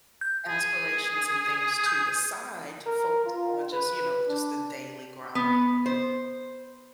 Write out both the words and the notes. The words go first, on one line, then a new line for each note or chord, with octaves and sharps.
aspirations and things to the side to focus on just, you know, just the daily grind.
G6
G#4
D#6 G6
A#4
F4
B4
D4
B3
C5